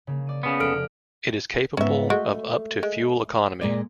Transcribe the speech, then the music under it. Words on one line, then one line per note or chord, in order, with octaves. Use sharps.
It is capable of up to fuel economy.
C#3 A#3
D5 D#7
C#3 B3
F1 A4 F6 D7
G#2 B3 C#4 E5
G#3 A3 F#4
G#3
A#2 G#3 D5